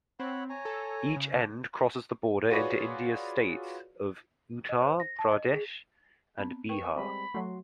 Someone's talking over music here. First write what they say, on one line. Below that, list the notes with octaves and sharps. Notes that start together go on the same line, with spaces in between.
Each end crosses the border into India's states of Uttar Pradesh and Bihar.
C4 C#5 F#5 B5
C#5 G#5 A#5
A4
C#3
D4
F4 F#4 G#4 B4 C#5 D5
D#5
C5
A#6
A5
D#5
G#4
B3 C4 B5
A#4 B4 G5 C#6
G3 G#3 C4 B5
F#3 A3 F#4 C6